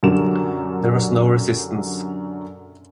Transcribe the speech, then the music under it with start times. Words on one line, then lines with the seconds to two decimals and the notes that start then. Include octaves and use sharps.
There was no resistance.
0.03 F#2 D3 G4 A#4 E7